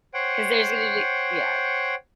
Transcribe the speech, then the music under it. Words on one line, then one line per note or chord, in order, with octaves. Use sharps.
'Cause there's gonna be Yeah.
C5 C#5 F#5 G5